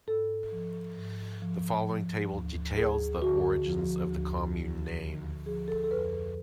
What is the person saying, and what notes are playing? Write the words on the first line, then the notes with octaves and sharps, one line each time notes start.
The following table details the origins of the commune name.
G#2 A4
F3
G#2
F3
F3
D2
D2 G#4
D3 F#4
F3
D2
D2
D3
F3 G#4
A4
A4
F2 B4